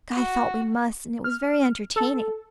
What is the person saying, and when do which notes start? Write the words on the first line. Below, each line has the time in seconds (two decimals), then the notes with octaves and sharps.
'Guy thought we must, and it was very entertaining.
0.13 F#4
1.24 F6
1.96 A4